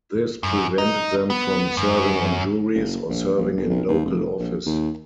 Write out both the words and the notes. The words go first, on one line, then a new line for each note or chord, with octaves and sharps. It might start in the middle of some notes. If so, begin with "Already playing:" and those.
This prevented them from serving on juries or serving in local office.
F#2
D#4
B3
F#2
F#1
A#1
A#1
G1
B1
D#2
F1
A#1
D#2